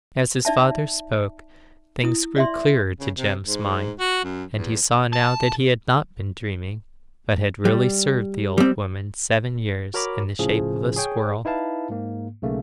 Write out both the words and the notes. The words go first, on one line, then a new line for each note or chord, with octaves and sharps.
As his father spoke, things grew clearer to Jem's mind, and he saw now that he had not been dreaming, but had really served the old woman seven years in the shape of a squirrel.
D#4 D5 E5 A5
E4 D#6
D5 E5 C6
C#3
C3
G#2
F#4
F#2
E2
A5
G3
G3 C4
F#4 A#4 C#5 A#5 B5 D6
A2 C#3 F3 G#4
G#4 C#5 G5
D#4 E4 B4 F5 A5
G#2 A#3
B1 C#3 A3 A#3